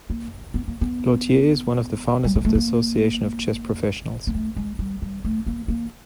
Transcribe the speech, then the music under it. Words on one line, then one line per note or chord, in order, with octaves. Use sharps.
Lautier is one of the founders of the Association of Chess Professionals.
A#3
B3
A#3
B3
G3
G#3
A3
A#3
A#3
A3
G#3
G3
G3
A3
A#3
A#3